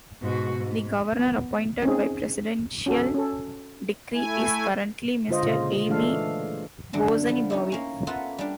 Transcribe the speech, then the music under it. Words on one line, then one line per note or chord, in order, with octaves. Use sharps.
The governor, appointed by presidential decree, is currently Mr. Aime Bosenibamwe.
G#2 B2 F#4
G#2
B3
C4 C#4 D#4 G#4
C#4 F#4 A4
C#4 A4
A3 E4 G#5
D3 G#3 F4 C5 D#5
A#2 C#3 F4
E3 G#3 A3 D4 A4 F5
F#2 D3 D4
F3 B3
C#4 D#4 E4
A#3 C#4
B3 F4 A4 A#4 E5 F#5
G3 D4